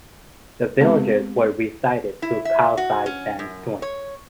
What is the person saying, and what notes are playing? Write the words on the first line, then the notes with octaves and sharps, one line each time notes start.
The villagers were resited to Kau Sai San Tsuen.
G#3 B3 C4 G4
E4
E5
F#4
C#4
F#2
C#5